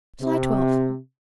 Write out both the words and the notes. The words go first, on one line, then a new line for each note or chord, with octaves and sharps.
July Twelfth.
C3